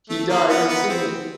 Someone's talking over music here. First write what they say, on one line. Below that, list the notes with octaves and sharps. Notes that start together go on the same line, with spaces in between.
He died in Sydney.
A3
A#3
B3
B3
C4